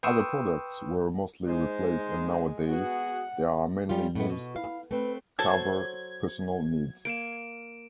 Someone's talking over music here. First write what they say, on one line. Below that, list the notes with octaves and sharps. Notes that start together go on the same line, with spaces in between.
Other products were mostly replaced and nowadays, they are mainly used cover personal needs.
B4 G5 C6 C#6 D#6 E6
G#3 D#4 C5
B3 F#4 G#4 F#5
G3 C#4 F4
A2 G#3 A3 B3
B2 F#4
E4 F5
A3 C4 B4
F#3 A4 C5 G#6
A#3 F5 D7 E7